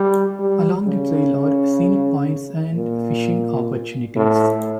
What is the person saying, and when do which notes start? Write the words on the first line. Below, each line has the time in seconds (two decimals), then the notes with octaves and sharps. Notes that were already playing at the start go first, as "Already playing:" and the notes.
Along the trail are scenic points and fishing opportunities.
Already playing: G3
0.39 G3
0.87 C#3
2.75 A#2
4.16 A2